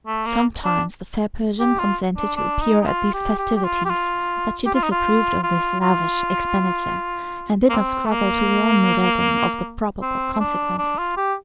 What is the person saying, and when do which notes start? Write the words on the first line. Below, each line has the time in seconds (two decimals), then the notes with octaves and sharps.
Sometimes the fair Persian consented to appear at these festivities, but she disapproved of this lavish expenditure, and did not scruple to warn Noureddin of the probable consequences.
0.07 A3
0.26 A#3
0.64 D4
1.60 G4
1.79 F4
2.17 D4
2.37 D4
2.62 D#4
2.81 D#4
2.87 F4
3.14 G4
3.38 G4
3.56 G4
3.64 F4
3.85 G4
3.90 F4
4.66 G4
4.74 F4
4.83 D#4
4.92 F4
5.43 F4
5.81 F4
7.69 A#3
7.72 C4
8.06 A3
8.11 A#3
10.02 C4
10.33 C4
10.40 D4
10.78 D4
10.98 F4
11.17 G4